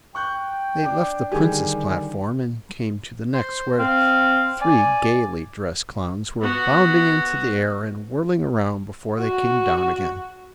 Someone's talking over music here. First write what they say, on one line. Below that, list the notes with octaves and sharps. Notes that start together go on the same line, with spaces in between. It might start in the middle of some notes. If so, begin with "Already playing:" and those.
They left the Prince's platform and came to the next, where three gaily dressed Clowns were bounding into the air and whirling around before they came down again.
G5 C#6 F#6 G6
D4 D6
D3 D#3 G3 G4 G#4
C5
C4 F5
D5 G#5
B3 F#4
F#4